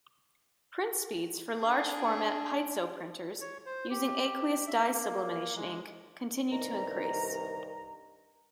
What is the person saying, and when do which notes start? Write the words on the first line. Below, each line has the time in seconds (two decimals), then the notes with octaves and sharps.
Print speeds for large-format piezo printers using aqueous dye sublimation ink continue to increase.
1.59 D4 G#4
3.41 C#5
3.66 C5
3.90 G4
4.67 E5
4.93 A#3
5.56 G#3
6.51 C2 G2 D#3 A#5